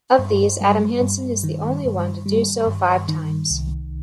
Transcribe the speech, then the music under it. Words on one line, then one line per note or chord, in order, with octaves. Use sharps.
Of these, Adam Hansen is the only one to do so five times.
G2
G3
G2
D#3
G2
G3
G2
D#3
C2